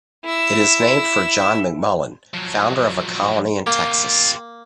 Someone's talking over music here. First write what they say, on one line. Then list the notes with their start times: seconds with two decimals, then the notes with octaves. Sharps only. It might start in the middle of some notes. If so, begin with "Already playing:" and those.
It is named for John McMullen, founder of a colony in Texas.
0.25 E4 E6
2.34 F3 F#3
3.67 A#3 F4 G4